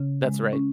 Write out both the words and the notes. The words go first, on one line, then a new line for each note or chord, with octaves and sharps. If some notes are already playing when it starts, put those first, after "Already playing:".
That's right.
Already playing: C#3 C#4
G#3
C#4